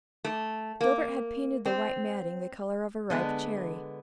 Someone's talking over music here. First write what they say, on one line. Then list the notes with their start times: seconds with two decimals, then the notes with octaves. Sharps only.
Gilbert had painted the white matting the color of a ripe cherry.
0.25 A3
0.81 A#3
1.66 C4
3.10 D3 G#3 B3